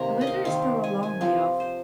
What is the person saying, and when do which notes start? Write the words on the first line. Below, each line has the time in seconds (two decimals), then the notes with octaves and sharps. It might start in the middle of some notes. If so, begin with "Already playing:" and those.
The Winter is still a long way off.
Already playing: C3 D#3 A#3 A#5 C6
0.21 D#5
0.27 F5
0.45 D#3 C4 F5
0.84 G#5
1.03 G#5
1.21 F3 C4 F5
1.60 C5